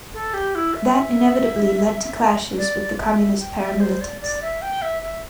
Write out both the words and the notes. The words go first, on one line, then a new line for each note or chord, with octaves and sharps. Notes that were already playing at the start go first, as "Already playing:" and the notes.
That inevitably led to clashes with the communist paramilitants.
A4
G4
E4
E5
D5
E5
G5
E5
C5
D5
D5
E5
G5
E5
E5